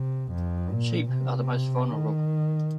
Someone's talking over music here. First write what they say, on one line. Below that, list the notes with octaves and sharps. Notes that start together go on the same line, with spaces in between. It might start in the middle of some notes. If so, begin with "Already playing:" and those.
Sheep are the most vulnerable.
Already playing: C3
F2
A#2
C3
D#3